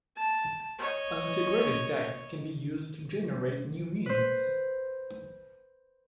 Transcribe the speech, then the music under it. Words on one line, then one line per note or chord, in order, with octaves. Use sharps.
An integrative text can be used to generate new meanings.
A5
C#5 D#5
B4 C5